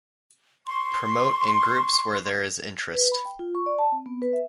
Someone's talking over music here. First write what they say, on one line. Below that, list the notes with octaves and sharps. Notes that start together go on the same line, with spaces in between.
Promote in groups where there is interest.
C6 C#6
B4
B5
G5
F4
C#6
D5
A5
C4
B3
B4
E5